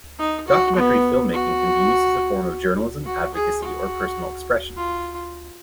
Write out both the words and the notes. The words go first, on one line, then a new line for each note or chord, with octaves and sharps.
Documentary filmmaking can be used as a form of journalism, advocacy, or personal expression.
D#4
F#4
B3
F#4
F#4
G#4
F#4
F4